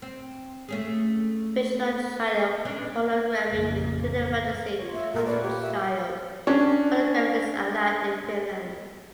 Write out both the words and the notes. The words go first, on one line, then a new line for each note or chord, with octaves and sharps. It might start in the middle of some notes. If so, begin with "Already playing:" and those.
Fictional child pornography including fantasy cartoon child pornography is allowed in Finland.
C4
A3 C#4 G#4
B3 C#4 D4
A1 F2 C#3 A#3
F4 C#5
A3 E5
A#2 F#4 A#4
A#3 B4 C#5 D5
G4
E5
C#4 D4